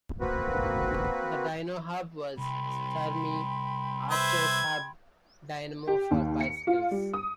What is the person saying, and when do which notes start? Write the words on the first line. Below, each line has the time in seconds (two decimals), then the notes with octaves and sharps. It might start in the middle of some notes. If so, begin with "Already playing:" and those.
The Dynohub was Sturmey-Archer's hub dynamo for bicycles.
0.20 A#3 C4 F#4 B4
2.38 C2 G5 B5 C6
4.11 B4 C5 E5 G#6
5.88 G4
6.11 D#2
6.40 C#7
6.67 F4
6.91 G3
7.13 D#6